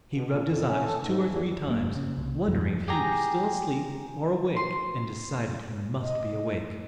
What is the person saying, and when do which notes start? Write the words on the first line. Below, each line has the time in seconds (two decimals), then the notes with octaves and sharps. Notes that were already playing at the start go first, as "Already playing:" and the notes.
He rubbed his eyes two or three times, wondering if he were still asleep or awake and decided he must be awake.
0.12 B2
0.26 A#2
0.42 F2
0.65 C#4
0.83 A4
1.00 G#2
1.25 E2
1.66 F1 F#2 A#3
1.96 C#3
2.17 C2
2.48 F2
2.88 G4 G#4 G5 A#5
4.57 C6
6.02 D#5